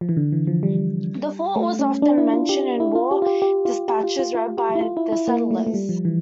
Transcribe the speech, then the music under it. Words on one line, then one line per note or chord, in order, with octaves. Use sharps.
The fort was often mentioned in war dispatches read by the settlers.
F3
E3
D3
E3
F3
G3
A3
C#4
D4
E4
F4
G4
E4
F4
G4
F4
G4
G4
F4
G4
F4
F4
F4
G4
E4
F4
E4
E4
A#3
A3
A3
G3
F3
E3